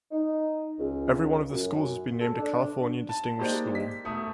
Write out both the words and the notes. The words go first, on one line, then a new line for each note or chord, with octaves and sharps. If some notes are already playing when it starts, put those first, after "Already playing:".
Every one of the schools has been named a California Distinguished School.
D#4
C#2
F#2
A4
D4
A5
G#3 A#3 D#4 G4 C5 D5
B6
E1 A3 D#6